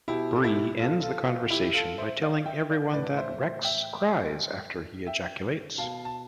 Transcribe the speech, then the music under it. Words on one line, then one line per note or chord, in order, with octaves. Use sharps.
Bree ends the conversation by telling everyone that, "Rex cries after he ejaculates".
B2 E4 G4
A4
E4 G4
F4 A4
F4 A4
F4
E4 G4
F4 A4
C5 E5
D5 F5
E5 G5
D5 F5
A2 E3 B4 D5
C5 E5
C5 E5
E5 G5
E5 G5
B2 F5 A5
A5